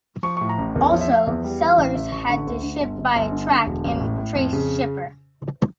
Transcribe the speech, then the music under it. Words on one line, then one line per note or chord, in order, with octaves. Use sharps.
Also sellers had to ship by a track and trace shipper.
F3 C#6
A2 C#6
A#5
A1
E2 A#4
F3 C#5
E5
F3 F5
E2 E5
G3
E3
A1 F5
A1 E5
A1 C#6
D3 C#6
D2
D3
G1
G1
G1
D3
D3
E1
A1
A2
A2
F2
C#3